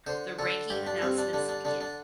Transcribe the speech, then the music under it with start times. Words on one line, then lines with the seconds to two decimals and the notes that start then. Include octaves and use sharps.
The ranking announcements begin.
0.07 D3 C5
0.39 D3 A4
0.70 G2 G4
0.87 D4
1.01 G2 C4
1.18 D4
1.33 D3 D4
1.49 D4
1.65 D3 D4
1.81 D4